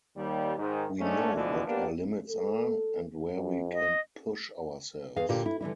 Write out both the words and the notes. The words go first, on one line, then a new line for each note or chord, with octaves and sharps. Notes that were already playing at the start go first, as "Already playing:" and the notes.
We know what are limits are and where we can push ourselves.
D#2 G3
G#2 D#3
G#2 A3 C#4 D4
B2 D3 E3 F3
A#3 B3 D4 G4
A4
F2
D#5
E2 G#4 F5
A#2 D3 F4 G4 F5
E4
D3 E3 G3 E4